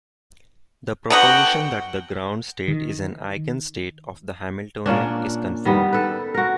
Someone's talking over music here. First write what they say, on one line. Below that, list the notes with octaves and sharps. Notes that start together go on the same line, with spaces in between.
The proposition that the ground state is an eigenstate of the Hamiltonian is confirmed.
D3 B3 F#4 F#5 G5
D#3
A#2 A#3 C#4 D4
D#3 G3 B3
A4 B4
F#4 A#4